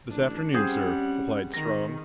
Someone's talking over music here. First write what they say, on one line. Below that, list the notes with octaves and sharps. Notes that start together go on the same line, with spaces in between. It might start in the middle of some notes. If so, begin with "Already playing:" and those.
"This afternoon, sir," replied Strong.
A1 D4
G3 C4 C#4 G#4 F#5
D#3 A#6